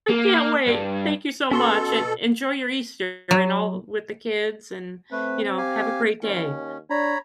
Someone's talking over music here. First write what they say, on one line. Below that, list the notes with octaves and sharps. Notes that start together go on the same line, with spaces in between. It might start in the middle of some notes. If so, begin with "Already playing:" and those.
can't wait. Thank you so much, and enjoy your Easter and all with the kids, and, you know, have a great day.
A#3
G2
B2 C#4 F#4 A4 C6
F#3
A3 C4 B4
G4 F5 G#5
D#2 C#4
D4 C#5 A#5 B5